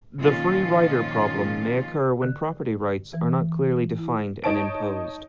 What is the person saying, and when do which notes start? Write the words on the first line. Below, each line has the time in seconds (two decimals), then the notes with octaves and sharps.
The free-rider problem may occur when property rights are not clearly defined and imposed.
0.21 A#2 D#3 F3 C#4 F4
2.22 D3
3.13 E3
3.98 E4
4.44 D#4 C#5 A5 D7